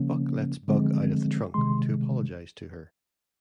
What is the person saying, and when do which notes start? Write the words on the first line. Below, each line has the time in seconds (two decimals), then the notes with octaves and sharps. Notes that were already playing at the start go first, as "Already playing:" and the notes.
Buck lets Bug out of the trunk to apologize to her.
Already playing: C#3 F3 A#3 C#4
0.68 D3 F3 G#3 C4
1.54 C3 D#3 G#3 C6